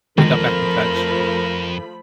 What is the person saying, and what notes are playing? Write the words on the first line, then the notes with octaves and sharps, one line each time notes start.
we got back in touch,
F2 D3 D#3 F3 G#3 A3 A#4 B5